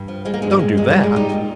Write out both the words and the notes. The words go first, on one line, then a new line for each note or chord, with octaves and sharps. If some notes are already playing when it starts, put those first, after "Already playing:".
"Don't do that!"
Already playing: G2
F3
F3 G#3
A#3
G2 G#3
A#3
G2 G#3
A#2 G#3
A#2 G3 A#3
G#3
A#2 D#4 G4
A#2